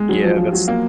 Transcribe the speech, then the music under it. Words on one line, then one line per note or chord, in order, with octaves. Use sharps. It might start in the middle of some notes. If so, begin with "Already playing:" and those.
Yeah, that's
Already playing: G#3
F#3
F3
F3
F#3
A#3